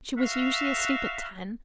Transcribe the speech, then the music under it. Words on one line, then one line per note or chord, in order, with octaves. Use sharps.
She was usually asleep at ten.
F#4 E5 F5